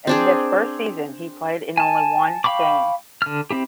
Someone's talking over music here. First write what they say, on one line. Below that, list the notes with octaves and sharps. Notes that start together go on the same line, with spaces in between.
In this first season he played in only one game.
C4 D4 G#4
G#5 A5
F5 G5 B5 C#6 D6
D3 F6
C4 E4 G4